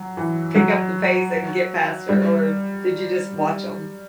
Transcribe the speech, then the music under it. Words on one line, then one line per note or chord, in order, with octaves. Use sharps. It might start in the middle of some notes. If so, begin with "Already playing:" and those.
just pick up the pace and get past her." Or did you just watch 'em?
Already playing: F#3
E3
F#3
G3